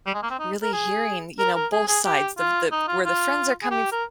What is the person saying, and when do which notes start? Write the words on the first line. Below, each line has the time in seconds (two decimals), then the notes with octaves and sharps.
really hearing, you know, both sides, the the where the friends are coming
0.06 G3
0.14 G#3
0.23 A#3
0.31 C4
0.39 D#4
0.63 A#4
0.73 G#4
1.39 A#4
1.55 A#4
1.72 G#4
1.88 G#4
2.05 G4
2.38 F4
2.72 D#4
2.88 F4
3.05 F4
3.63 G#4
3.71 G4
3.92 A#4